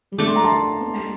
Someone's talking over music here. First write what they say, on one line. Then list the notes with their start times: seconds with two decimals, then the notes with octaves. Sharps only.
Mm. Okay.
0.18 A3 D4 A4 D6
0.28 C6
0.36 A#5
0.44 A5 C6